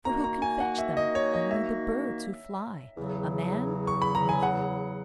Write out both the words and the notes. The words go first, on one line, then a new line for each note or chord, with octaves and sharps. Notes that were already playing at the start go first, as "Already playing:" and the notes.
For who can fetch them? Only the birds who fly; a man, never.'
D#3 A#3 D#4 F#4 A#5
A#5
G#5
F#5
E5
D#5
C#5
D#5
E5
E2 C#3 F#3
C#6
B5
A#5
G#5
F#5